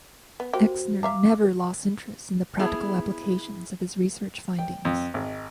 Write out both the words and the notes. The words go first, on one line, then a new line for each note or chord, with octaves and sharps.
Exner never lost interest in the practical application of his research findings.
B3
A#3 F#4 G4 C5
E5 F5 A#5 D6
B3 E4 G#4
G5
F2
G#1